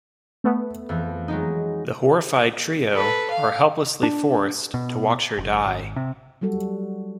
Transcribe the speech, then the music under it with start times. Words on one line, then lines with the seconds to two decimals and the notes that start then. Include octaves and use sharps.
The horrified trio are helplessly forced to watch her die.
0.44 A3 B3
0.89 F2 E3
1.28 F#3 G#3 D#4
2.91 A4 B4
3.30 F5
4.03 D4
4.74 B2
5.38 F#1
5.66 G#1
5.96 C3
6.41 F#3 G3 F#4 A4